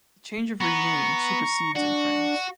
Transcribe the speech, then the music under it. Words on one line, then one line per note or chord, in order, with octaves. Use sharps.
The change of regime supersedes in France.
B3 A#5 C#6
D4 F#4